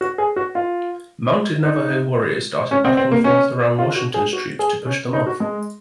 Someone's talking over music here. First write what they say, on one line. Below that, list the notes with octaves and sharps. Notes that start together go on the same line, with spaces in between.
Mounted Navajo warriors darted back and forth around Washington's troops to push them off.
F#4
G#4
F#4
F4
D#4
C#4
C4
C4
A#3
C#4
F4
F#4
G#4
F#4
G#4
C#4
D#4
F#4
G#3